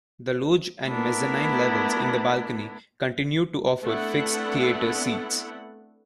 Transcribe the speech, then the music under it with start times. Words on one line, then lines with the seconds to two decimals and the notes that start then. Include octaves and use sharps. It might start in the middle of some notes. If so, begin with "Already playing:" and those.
The loge and mezzanine levels in the balcony continue to offer fixed theater seats.
0.85 A3 B3 D4 E4 A#4
3.85 A3 B3 C4 D4 E4 F#5